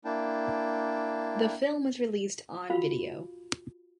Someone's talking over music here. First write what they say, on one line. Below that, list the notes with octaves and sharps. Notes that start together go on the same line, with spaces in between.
The film was released on video.
A#3 D4 E4 G5 A5
F4 F#4 F5 B5